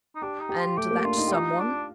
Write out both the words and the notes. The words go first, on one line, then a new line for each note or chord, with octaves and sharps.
"And that someone?"
D#4
D4 G4
D#4
G4
F4
A3 G4
A#3
D4 F4
D#4
G4
D#4 F4
D4